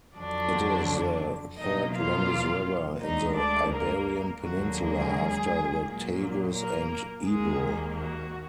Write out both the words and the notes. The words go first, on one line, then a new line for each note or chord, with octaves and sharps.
It is the third-longest river in the Iberian Peninsula after the Tagus and Ebro.
F2 D3 F#3 D4 D5
B2 F#3 A#3 D#4 D#5
F4 F5
D2 D3 G#3 D#4 D#5
D4 D5
A#3 A#4
D#2 D3 F#3 A#3 F#4
G#3 G#4
A#2 F#3 A#3
A#3 A#4
D#2 D#3 G#3 A#3 G#4
F#4